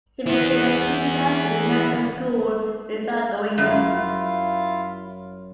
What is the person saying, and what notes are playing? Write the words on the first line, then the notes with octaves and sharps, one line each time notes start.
He became a teacher at the National School in Taungdwingyi.
E3 B3
F#2 E4 F4 F5